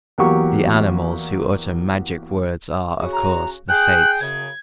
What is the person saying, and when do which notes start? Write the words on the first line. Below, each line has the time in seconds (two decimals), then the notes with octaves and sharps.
The "animals" who utter magic words are, of course, the Fates.
0.18 E2 F#3 A#3 G4 F#5 C#6
2.99 C#3 F#4
3.13 A#5
3.69 G#4 G5 F#6
4.21 F#2 C#3 G#6